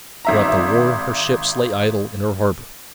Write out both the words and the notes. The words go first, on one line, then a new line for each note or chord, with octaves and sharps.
Throughout the war her ships lay idle in her harbour.
G#1 E5 A#5